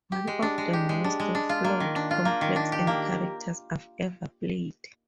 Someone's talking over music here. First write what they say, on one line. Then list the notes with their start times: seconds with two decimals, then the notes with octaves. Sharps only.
One of the most flawed, complex and characters I've ever played.
0.12 G4
0.27 G#3
0.42 D4
0.58 G#3
0.73 G4
0.89 G#3
1.04 D4
1.20 G#3
1.35 D4
1.49 F4
1.64 A#3
1.80 D#3
1.96 D4
2.11 F4
2.25 A#3
2.41 D#3
2.56 D4
2.72 G4
2.87 A#3